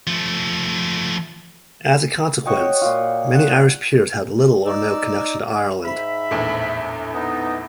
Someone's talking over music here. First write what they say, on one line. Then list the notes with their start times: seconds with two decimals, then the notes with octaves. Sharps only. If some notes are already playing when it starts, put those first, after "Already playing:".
As a consequence, many Irish peers had little or no connection to Ireland.
0.07 F3 A3
2.46 F#4 C#5 D#5 G5
2.82 A#2 F4
3.35 F#5
4.65 D#4 D5 E6
5.85 G#2 E5 B5
6.31 A#1 E2 A2
7.13 B3 D#4